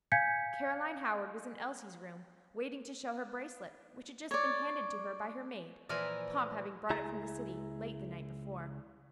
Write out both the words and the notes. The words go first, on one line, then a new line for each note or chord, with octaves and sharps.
Caroline Howard was in Elsie's room, waiting to show her bracelet, which had just been handed to her by her maid; Pomp having brought it from the city late the night before.
F5 G#5 G6 G#6 B6 C#7
C#5 D5
A#2 E3 F3 E4 A#4 G#5
C#2 E4 G#4 A#5